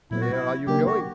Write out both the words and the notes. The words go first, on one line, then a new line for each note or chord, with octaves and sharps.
Where are you going?
A#2 F#3 B3 E4
F#4
E4
C#3 F#3 A#3 D4 G4 A#4
F#4